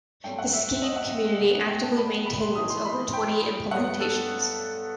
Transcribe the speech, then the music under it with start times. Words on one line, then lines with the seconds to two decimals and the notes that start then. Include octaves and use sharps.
The Scheme community actively maintains over twenty implementations.
0.24 G2 F#3 A3 C4 G5
0.39 F#5
0.53 E5
0.82 D#5
0.96 F#5
1.40 E2 B2 A3 D#4
1.69 G5
1.83 A5
1.98 B5
2.26 B5
2.41 C6
2.55 A2 E3 A3 D#4 D#6
2.70 C6
2.85 B5
3.13 G5
3.71 G2 F#3 B3 F#5
4.00 A4